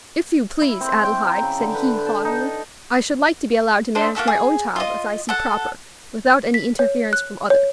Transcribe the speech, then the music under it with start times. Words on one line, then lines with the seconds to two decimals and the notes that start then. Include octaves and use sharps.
"If you please, Adelaide," said he haughtily, "I should like to be allowed to manage my own child as I see proper, without any interference from others."
0.61 E4
0.81 C4
1.04 G5
1.27 A#5
1.42 C#3
1.60 D3
1.75 B4
2.06 A5
2.25 D#4
3.95 C4 D4 C5 D#5
4.15 A#3 F#4 A4 E5
4.28 G#4
4.76 F4 D#5
5.29 A4 F#5
6.54 B6
6.79 C#5
7.13 F#6
7.50 C#5